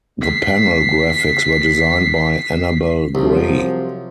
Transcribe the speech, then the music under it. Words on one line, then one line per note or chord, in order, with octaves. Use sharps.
The panel graphics were designed by Annabel Grey.
B6 C7
C2 C3 F3 F#3